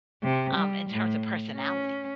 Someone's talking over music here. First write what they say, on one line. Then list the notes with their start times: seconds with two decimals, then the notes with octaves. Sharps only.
um, in terms of personality.
0.23 C3
0.55 G3
0.90 A2
1.56 C#4